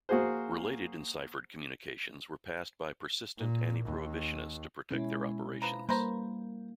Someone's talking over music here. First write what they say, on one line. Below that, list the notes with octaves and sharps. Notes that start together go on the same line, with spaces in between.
Related enciphered communications were passed by persistent anti-prohibitionists to protect their operations.
A#3 F#4 G#4 C5
A#2
D#2
B2 G#3 C#4 E4
F3 B4 A#5
G3 A#3 B4 C5 A#5